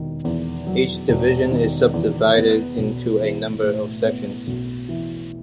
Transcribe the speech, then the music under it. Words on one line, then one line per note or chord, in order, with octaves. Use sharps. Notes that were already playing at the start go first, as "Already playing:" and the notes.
Each Division is subdivided into a number of Sections.
Already playing: E1 D#3
E2
F#3
E1
D#3
E2
B3
B1
E3
A2
B3
B1
E3